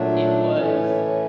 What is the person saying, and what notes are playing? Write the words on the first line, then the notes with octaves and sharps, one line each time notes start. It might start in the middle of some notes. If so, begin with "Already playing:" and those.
It was
Already playing: A#2 F#3 A3 D4
A2 E3 A3 C#4